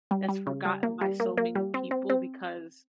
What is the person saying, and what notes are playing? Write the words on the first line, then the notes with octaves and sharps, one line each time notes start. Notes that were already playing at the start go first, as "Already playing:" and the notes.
that's forgotten by so many people because
G3
G3
C#3
G3
A#3
G3
A#3
A#3
G3
C4
C4
C4